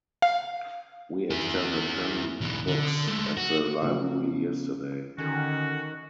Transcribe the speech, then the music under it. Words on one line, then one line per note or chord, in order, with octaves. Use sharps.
We extended ten books at the library yesterday.
F5
E4 G#4
B1 E3
D3
G#3 A3
F#4
C#3 F3 F#3 A3 C#4
D3 D#3 C#4 F#4